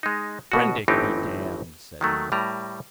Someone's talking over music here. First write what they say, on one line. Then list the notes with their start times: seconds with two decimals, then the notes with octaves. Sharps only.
"Prendick be damned!" said he.
0.03 G#3 D#4
0.52 A1 B2 F#4
0.88 G1 A2 E3 C4 D#4 G4
2.01 D#3 F#3 A3
2.32 A2 G3 A#4 A#5